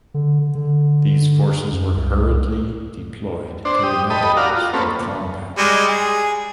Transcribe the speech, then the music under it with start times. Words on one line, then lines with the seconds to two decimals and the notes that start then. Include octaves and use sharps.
These forces were hurriedly deployed to the Netherlands for combat.
0.14 D3
0.55 D3
1.73 F#2
1.97 C2
3.65 D4 C5
3.83 G4 D#6
4.10 G4 A4 D#5 B5 D#6
4.37 F#4 A#4 D5 F5
4.55 F4
4.73 A#3 C4 C#4 A4 B4
5.58 G3 G#3
5.88 G#4